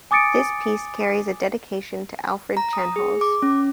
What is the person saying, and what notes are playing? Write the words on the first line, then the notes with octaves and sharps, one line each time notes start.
This piece carries a dedication to Alfred Chenhalls.
G#5 D6 D#6 A6 C#7 D7
A#5
D#6
G#4
D6
C#4